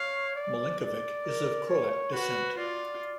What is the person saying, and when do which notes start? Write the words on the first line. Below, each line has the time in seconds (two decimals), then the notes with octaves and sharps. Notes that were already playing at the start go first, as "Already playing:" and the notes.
Milinkovic is of Croat descent.
Already playing: C#5 F5
0.36 D5
0.80 D5
1.24 A#4
1.69 C#5
2.13 F#4 B4
2.57 F4 D5